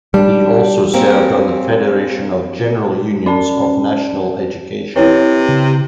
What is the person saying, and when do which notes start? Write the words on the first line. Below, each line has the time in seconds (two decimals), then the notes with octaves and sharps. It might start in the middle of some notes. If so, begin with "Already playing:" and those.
He also served on the Federation of General Unions of National Education.
0.14 G3 D4
0.93 A#3 C4 C#4
3.26 C#4 D5 A5
4.96 C3 E4 B4 C#5
5.49 C#3